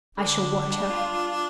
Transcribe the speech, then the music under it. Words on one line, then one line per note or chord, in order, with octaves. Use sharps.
I shall watch her.
D3 D4
D3
G3
F4
F4